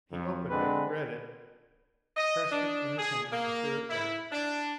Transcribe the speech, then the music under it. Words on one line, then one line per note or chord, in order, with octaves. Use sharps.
He opened it, read it, crushed it in his hand and threw it down.
F2
D3 G#3 C4 D4 B4
D#5
D4
G#4
A#3
E4
D4